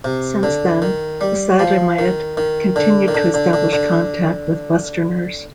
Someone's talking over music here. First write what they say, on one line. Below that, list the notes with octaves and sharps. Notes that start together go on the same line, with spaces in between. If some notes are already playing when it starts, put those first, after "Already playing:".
Since then, the Sadlermiut continued to establish contact with Westerners.
C3
D3
D#3
G3
F3
D#3
D#3
D3
D#3
D3
D3
D3
D3